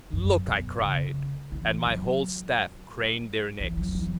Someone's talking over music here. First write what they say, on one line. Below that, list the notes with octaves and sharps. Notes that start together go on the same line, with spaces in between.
"Look!" I cried, and my whole staff craned their necks.
F#2
B2
C#3
E3
F#3
E3
F#3
E3